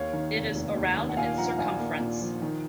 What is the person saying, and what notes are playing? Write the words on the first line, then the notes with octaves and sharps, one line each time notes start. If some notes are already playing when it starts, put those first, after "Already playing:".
It is around in circumference.
Already playing: D#2 C#5 F5
D#3
F1
F1
D#2
D#3
F#5
A#2 F5 G#5
F3 F#5 A#5
A#5
A#1 F5 G#5
A#3
A#2
F3
D#3